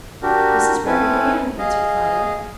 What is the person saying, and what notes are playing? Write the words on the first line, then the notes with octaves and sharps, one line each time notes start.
"This is Raggedy Ann," answered Fido.
D4 F#4 G4 A#4
C4 C#4 E4 A4 B4 G#5
G#4 D#5 F5